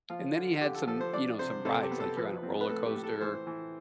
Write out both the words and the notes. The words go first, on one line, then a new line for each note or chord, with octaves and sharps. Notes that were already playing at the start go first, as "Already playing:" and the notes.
and then he had some, you know, some rides, like you're on a roller coaster,
F3 F4
D3
D3 G4
A4
F3 A4
C5
D4 D5
C3 C5
C3 A4
G4
B3
A4
F3 B4
C4
B4
A2 A4
G4
A2
A4
E3 C5
E3